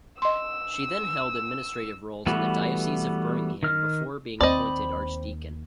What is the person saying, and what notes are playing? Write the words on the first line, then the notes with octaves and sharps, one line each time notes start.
She then held administrative roles in the Diocese of Birmingham before being appointed archdeacon.
D#5 C6 E6
E3 G3 A3 B3 F#4
D#3 F6
D#2 C4 C5 D5 D#5 B5